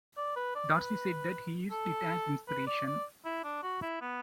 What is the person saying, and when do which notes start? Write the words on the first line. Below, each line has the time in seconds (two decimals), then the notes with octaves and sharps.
Dorsey said that he used it as inspiration.
0.17 D5
0.36 B4
0.55 D5
0.75 B4
1.71 A4
2.48 B4
2.67 D5
2.87 D5
3.25 E4
3.44 D4
3.63 F#4
3.82 E4
4.01 B3